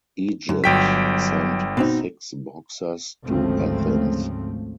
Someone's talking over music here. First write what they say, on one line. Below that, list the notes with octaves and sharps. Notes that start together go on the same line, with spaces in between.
Egypt sent six boxers to Athens.
F#2
G1 F#3 G5 B6
B2 C4 D#4
G#1 D2 C#3 F3 A3 C4